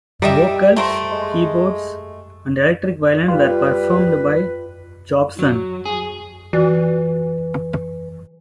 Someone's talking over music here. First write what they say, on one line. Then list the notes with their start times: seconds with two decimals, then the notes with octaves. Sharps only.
Vocals, keyboards, and electric violin were performed by Jobson.
0.22 G3 A#4 D#5 E5
0.76 A3 A#4 C5
1.12 G#3
3.28 G3 F4 B4
5.39 F#3
5.85 G#4
6.53 E3 F4 F#4 D5